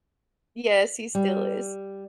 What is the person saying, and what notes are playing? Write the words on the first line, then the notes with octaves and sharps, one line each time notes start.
Yes, he still is.
G3